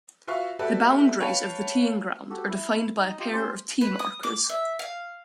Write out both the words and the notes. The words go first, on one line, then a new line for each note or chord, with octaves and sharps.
The boundaries of the teeing ground are defined by a pair of tee markers.
F4 F#4 B4 E5 F5 C#6
F#4 G4 A4 B4 D5 E5
B4 C#5 F5 G5 A5 B5
F#4 G4 A4
E4
D#4 D#5
F4 G4 D#5 G5
C#4 G4 C5 C6
B4
D#6
D6
E5
F5